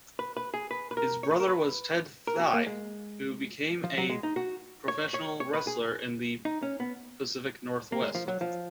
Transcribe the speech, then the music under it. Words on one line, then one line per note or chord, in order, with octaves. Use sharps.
His brother was Ted Thye, who became a professional wrestler in the Pacific Northwest.
B4
B4
G#4
B4
B4
A#4
C#5
B4
A#4
B4
A#4
G#4
F#4
A#3
G#3
F3
F#3
G#3
D#4
F#4
C#5
C#5
C#5
B4
G#4
D#4
C#4
B3
A#3
G#3
F3
F#3
F3